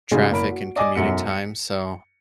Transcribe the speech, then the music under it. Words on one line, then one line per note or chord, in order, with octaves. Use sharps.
traffic and commuting time, so
G#2 C#3 G3 G#3 F#4 G#4
F#1 A#4 B5 D7
F#4
D5 D#5 G#5 D6
E1 B1 F#2 F#4 C#7
C#7